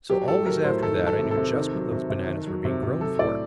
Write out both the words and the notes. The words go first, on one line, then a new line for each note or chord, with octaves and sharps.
So always after that I knew just what those bananas were being grown for.
F#3 G4
A2 A4
F#3 A#4
A2 C5
D#3 A4
F#3
A4
C3
A4
C3
D#3
F#3
C3
C3
D#3
F#3
C3
C3
F#3 A4
A2 D5